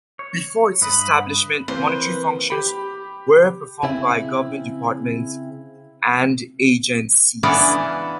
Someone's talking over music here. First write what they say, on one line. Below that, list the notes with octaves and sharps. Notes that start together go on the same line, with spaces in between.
Before its establishment, monetary functions were performed by government departments and agencies.
C#5
G2 B4 D#5 B5
E3 A#3 C4 B4 C5
G4 B5
C#3 C4 E4
C#3 E3 B3 C#4 D4